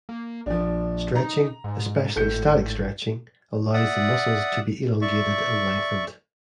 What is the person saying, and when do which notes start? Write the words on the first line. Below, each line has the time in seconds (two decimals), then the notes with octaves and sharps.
Stretching, especially static stretching allows the muscles to be elongated and lengthened.
0.09 A#3
0.46 A#1 F3 D4
1.15 D#4 A#5
1.64 G#2
2.16 G#1 A2 G6 C#7
3.74 D5 E5 F#5 D#6
5.01 D5 E5 C#6